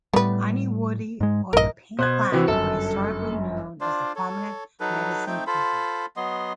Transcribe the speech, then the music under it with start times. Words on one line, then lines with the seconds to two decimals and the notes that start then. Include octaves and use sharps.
The Aniwodi or the Paint Clan were historically known as a prominent medicine people.
0.14 A2 G3 B3 B4
1.21 G#2 G#3
1.53 A#1 G2 A#4 D#5
1.99 B2 C5 F#6 G#6
2.32 C3 E3 C4 F#4 B4
2.48 G1 F#2 A4
3.81 D4 F4 C5 D5
4.16 A4 C#5
4.80 F#3 D#4 A4 B4
5.27 A3 C4 D#4 G5
5.47 F4 A4 C5 B5
6.16 F#3 B3 D#5 C6